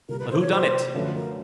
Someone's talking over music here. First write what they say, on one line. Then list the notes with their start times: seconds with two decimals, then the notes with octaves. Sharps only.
But who done it?
0.08 C2 A#2 G3 A#4
0.19 B4
0.30 C5
0.40 C#5
0.51 C5
0.94 F#2 D3 F3 A3 C#4 B4
1.15 A#4